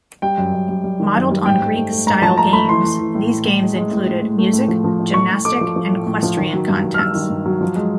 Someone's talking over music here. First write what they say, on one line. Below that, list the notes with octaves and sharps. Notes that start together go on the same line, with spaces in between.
Modeled on Greek style games, these games included "music" "gymnastic" and "questrian" contents.
G3 G5
F#2
F#2
G3
G3
D#3
F#2
G3
G#2 G5
G#2
A3
A3
G#2 A#5
F3 A5
A3 A#5
A3 B5
E3 C6
E3
E3
A2
E3
A2
G#3
G#3
A2
A2
A2
A3
A2
F3
F3
A2
A3 C#6
A2
A3 D6
F3
F3
A2
A2
F3
D#3
F#3
G2
G2
F6
G2 E6
D#3
G2
F#3
F3
G#3